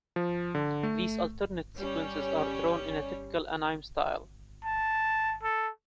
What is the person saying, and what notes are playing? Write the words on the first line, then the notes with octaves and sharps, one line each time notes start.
These alternate sequences are drawn in a typical anime style.
F3
D3
A3
G3 C#4
A5
A4